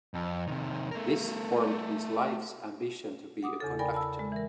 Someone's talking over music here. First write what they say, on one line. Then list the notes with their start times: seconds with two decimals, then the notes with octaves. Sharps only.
This formed his life's ambition to be a conductor.
0.14 F2
0.48 C3 D#3
0.91 A3 A#4
3.43 F#5 D6 D#6
3.60 E2 C#3 A4
3.79 A#4 D5 G5 G#5 B5
3.94 A5 B5 E6
4.19 G#3
4.32 E3 A#4